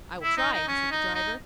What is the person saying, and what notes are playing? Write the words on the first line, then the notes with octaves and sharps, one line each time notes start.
"I will try," answered the driver.
E4
D#4
D#4
C#4
D#4
D#4